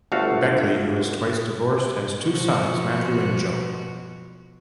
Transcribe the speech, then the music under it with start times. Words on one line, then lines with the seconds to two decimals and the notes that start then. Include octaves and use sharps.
Beckley, who is twice divorced, has two sons, Matthew and Joe.
0.12 G1 D2 A3 F#4 F5
2.21 B2 F3 F#4